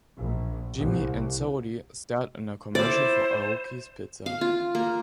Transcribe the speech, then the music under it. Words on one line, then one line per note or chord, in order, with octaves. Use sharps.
Jimmy and Sody starred in a commercial for Aoki's Pizza.
A#1
C2
E4 C5 D5
F5
F4
A#3